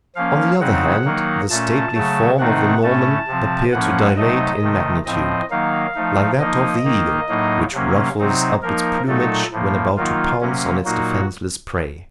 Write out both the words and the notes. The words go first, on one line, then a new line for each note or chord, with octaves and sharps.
On the other hand, the stately form of the Norman appeared to dilate in magnitude, like that of the eagle, which ruffles up its plumage when about to pounce on its defenceless prey.
F3 A#3 C#4 F5
C#3 F#3 C4 D#4 F#5
D#3 F#3 A#3 D#4
A#2 A3 C#4 A5
C#3 F#3 A3
C3 D#3 A3 C4 D#4 F#5
A2 A3 C#4 A5
C3 F3 C4
A2 F3 A#3 C#4 F#5
C3 F#3 A3 D#4 D#5
C3 D#3 A3
A2 F3 C4 D#5
D#3 F#3 A#3 D#4 F5
F3 A3 D#4
F3 A#3 D#4 D#5
D#3 A#3 D#4
A2 F#3 A#3 D#4
C3 F#3 A#3 C#4
C3 F#3 C4 D#4
F3 A#3 D#4 A#4
A#2 F#3 A3 D#4 A4
A2 F3 A#3
D#3 F#3 A#3 D#4 F4
C3 F#3 A#3 C#4
A#2 F#3 A#3 D#4 F#4